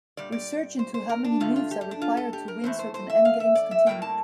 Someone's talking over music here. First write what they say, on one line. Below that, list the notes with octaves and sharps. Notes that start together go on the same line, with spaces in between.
Research into how many moves are required to win certain endgames continued.
A#2 G3 D5
D5
C5
C5
A#4
D4
G2 D3 A3 F4
F4
G4
G4
D4
F4
A4
G4
A#4
E2 E3 A3 C5
C5
C5
E5
F5
E5
D5
E5
A2 G3 A#3 G5
A5